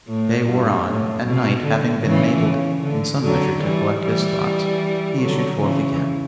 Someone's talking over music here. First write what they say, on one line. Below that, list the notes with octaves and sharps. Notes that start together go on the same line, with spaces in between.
The day wore on; at night, having been enabled in some measure to collect his thoughts, he issued forth again.
A2
G2
A2
B2
D3
C#3 E3
C#3
D3
D3 F#3
E3 G3
E3 G3
D3 F#3
C#3 E3